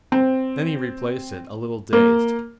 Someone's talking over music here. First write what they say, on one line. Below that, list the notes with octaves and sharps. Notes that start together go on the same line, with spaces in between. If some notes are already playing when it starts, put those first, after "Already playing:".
Then he replaced it, a little dazed.
C4
A#3